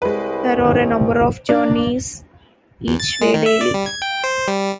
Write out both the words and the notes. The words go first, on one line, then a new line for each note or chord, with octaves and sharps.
There are a number of journeys each way daily.
C2 G#3 B4
D#3
A#3 D4 D5
E2
A6
G#3
D#3
E5
D5
G3
G#6
G5
C5
G3